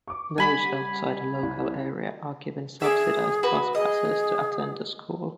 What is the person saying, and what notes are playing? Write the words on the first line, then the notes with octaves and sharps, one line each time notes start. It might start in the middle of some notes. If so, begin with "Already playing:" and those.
Those outside the local area are given subsidized bus passes to attend the school.
C#6 D6
G3 F#5 G#5 B5
C2
G#4 E5 D6
F#4 B4
G#4 D#5